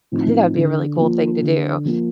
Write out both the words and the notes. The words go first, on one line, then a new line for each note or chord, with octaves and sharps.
I think that would be a really cool thing to do. It's
A2 F3 C4 D#4
D3
F3 A#3
D3
F3 A#3